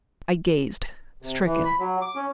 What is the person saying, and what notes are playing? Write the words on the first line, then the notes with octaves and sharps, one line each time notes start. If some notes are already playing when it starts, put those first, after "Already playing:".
I gazed, stricken.
C3
E3
B5
F#3
D6
C#4